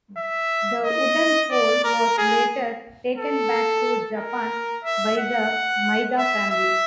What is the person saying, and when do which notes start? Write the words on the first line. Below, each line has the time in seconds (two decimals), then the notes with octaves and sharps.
The wooden pole was later taken back to Japan by the Maida family.
0.18 E5
0.85 D#5
1.51 D5
1.84 A#4
2.18 G#4
3.17 A4
4.18 A#4
4.84 E5
5.18 F#5
6.18 E5
6.50 E5